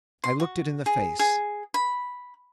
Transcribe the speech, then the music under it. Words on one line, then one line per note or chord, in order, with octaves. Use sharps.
I looked it in the face.
C6
F#4
G#4
G#4
B5